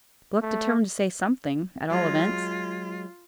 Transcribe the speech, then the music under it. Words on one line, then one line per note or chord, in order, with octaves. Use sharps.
Gluck determined to say something at all events.
A3
F#3 G#3 F4